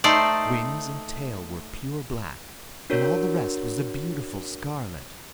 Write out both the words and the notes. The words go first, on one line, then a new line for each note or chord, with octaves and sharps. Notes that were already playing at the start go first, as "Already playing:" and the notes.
Wings and tail were pure black and all the rest was a beautiful scarlet.
A3 D#4 C5 D5
D4 F#4 A#4 C#5